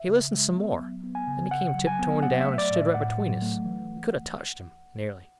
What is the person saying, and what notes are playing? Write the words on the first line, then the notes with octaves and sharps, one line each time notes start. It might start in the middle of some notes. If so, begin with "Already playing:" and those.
He listened some more; then he come tiptoeing down and stood right between us; we could a touched him, nearly.
Already playing: E5
C#3
G#3
B3
F#3
B3
G#5
C#3
C#3 F#5
F#3
G#5
B3
F#3 F#5
E5
A3
D5
A2
E5
A2 F#5
F#3
A3
E3